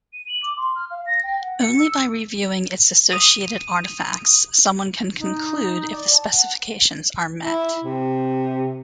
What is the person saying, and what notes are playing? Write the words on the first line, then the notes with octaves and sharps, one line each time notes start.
Only by reviewing its associated artifacts, someone can conclude if the specifications are met.
D#7
F#7
D6
C6
F6
F5
A#6
G5
F#5
C#7
E6
D#6 D#7
D#4
D5
A5
F#5
E4
C3